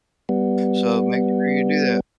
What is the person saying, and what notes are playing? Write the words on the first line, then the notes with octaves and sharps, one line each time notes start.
So make sure you do that.
G3 B3